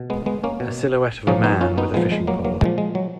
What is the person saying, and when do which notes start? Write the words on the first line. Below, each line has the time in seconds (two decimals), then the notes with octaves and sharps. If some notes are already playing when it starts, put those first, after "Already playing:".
A silhouette of a man with a fishing pole.
Already playing: B2
0.10 G#3 B3
0.26 G#3 B3
0.44 A#3 C#4
0.60 B2
1.27 A#2 F3 A#3 C#4
1.44 B3 D#4
1.61 C#4 F4
1.78 B3 D#4
1.94 A#2 F3 G#3 B3
2.12 G#3
2.27 F#3 A#3
2.45 F#3 A#3
2.61 A#2 F3 G#3
2.78 G#3
2.95 F#3